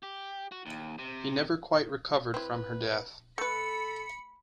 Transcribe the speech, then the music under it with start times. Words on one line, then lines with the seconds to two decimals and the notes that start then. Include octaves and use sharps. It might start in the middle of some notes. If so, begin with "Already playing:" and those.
He never quite recovered from her death.
0.03 G4
0.52 F#4
0.66 D#2
0.99 C3
2.34 C4 E4 B4
3.38 A3 A4 B4 B5 C#7